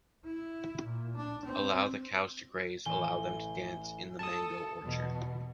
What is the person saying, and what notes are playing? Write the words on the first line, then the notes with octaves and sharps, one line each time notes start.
Allow the cows to graze! Allow them to dance in the mango orchard!
E4
A#2
D4
C4
A1 G#5 G7
A4 A5 D#6
E2 B2